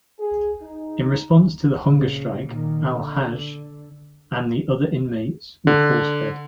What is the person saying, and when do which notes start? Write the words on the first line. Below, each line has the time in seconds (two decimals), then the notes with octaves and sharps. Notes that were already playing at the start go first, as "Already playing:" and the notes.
In response to the hunger strike, Al Hajj and the other inmates were force-fed.
0.19 G#4
0.62 D#4
1.80 A#1 C#3
2.47 A#2 D#3
2.92 D3
5.67 D3